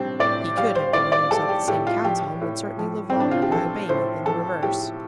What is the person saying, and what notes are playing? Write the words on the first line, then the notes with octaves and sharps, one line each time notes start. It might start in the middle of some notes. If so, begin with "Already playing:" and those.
He could have given himself the same counsel, and would certainly live longer by obeying it than the reverse.
Already playing: A2 G3 C4 D4
A2 D5
G3 F5
C5
A2 D5
D5
G3 A4
G4
A2 G4
F4
F3 G4
A2
F3
C4
A2 D4
F4
G4
F3 A4
A2 C5
F3 A4
A2 G4